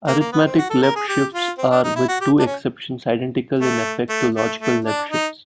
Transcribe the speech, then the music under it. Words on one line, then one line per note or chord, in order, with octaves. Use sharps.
Arithmetic left shifts are, with two exceptions, identical in effect to logical left shifts.
A#3
A#3
B3
C4
F#4
A4
A#4
G#4
G4
F4
C4
D4
D#4
E4
F#4
G4
D4
C#4
A3
A3
A3
A3
D4
D#4